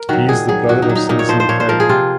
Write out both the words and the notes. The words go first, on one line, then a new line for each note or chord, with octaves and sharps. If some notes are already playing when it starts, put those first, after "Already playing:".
He is the brother of Citizen Kay.
Already playing: A#4
D#3 F#3 F#4
A#2 G#4
F#3 G#4
A#2 F#4
D#4
F#3
D#4
A#2 D#4
C#5
F3 C5
C5
A#2 C#5
C5
F3 A#4
G#4
C3 F4